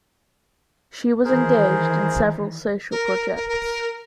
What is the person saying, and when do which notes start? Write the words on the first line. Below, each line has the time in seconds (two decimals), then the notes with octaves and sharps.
She was engaged in several social projects.
1.24 D#3 E3 G#4 A#4 C5
2.91 A#4
3.36 A#4
3.49 A#4